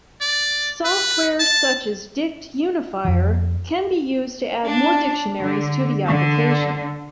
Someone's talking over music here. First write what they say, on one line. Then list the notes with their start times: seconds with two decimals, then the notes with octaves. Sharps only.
Software such as DictUnifier can be used to add more dictionaries to the application.
0.21 D5
0.85 B4
1.40 A5
3.05 F2 F3
4.65 D4
5.42 D3
6.06 D3